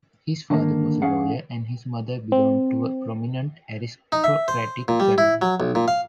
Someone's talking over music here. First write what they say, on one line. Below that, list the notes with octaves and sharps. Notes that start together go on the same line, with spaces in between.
His father was a lawyer and his mother belonged to a prominent aristocratic family.
D3 D#3 A#3
E2 C#4 G#4 F5 F#5
C4
D#4
E5
C5
A#2
G3
E4
F#3
B1
A#2
F5